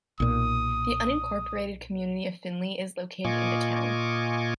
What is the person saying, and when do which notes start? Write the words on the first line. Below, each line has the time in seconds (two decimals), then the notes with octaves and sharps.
The unincorporated community of Finley is located in the town.
0.20 B1 A#2 D#6
3.24 A#2 F4 D#5 G#5 C#6 D6